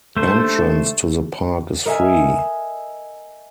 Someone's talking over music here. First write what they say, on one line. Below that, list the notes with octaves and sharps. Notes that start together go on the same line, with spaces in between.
Entrance to the park is free.
A3 D4 G4 A4 C5
A#4 D#5 E5 G#5